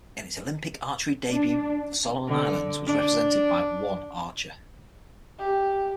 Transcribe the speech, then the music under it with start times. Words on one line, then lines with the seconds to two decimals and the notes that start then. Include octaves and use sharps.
In its Olympic archery debut, the Solomon Islands was represented by one archer.
1.30 D4
2.27 D3
2.86 D4
5.39 G4